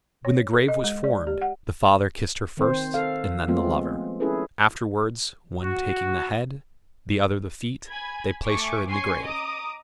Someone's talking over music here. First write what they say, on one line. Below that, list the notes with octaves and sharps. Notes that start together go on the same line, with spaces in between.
When the grave was formed, the father kissed her first, and then the lover; afterwards, one taking the head, the other the feet, they placed her in the grave.
C#5
A4
D#5
G#3
D5
G4
F#5
D#3 C4 C5
A4 F5
F3 G#3 A3 B3 C4 F4
C#4 E4 G#4 A4 B4
F#4
G#5 B5 G#6
A3 G#5 C#6 D6
C#4 G#5 C6 C#6 C7
D#5 A#5 D6 D#6